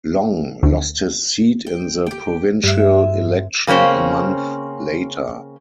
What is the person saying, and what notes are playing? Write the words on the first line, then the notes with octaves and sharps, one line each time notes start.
Long lost his seat in the provincial election a month later.
D2
G5
G4 G5
G2 G#3 E5
C#3 A#3 C4 C#4 C5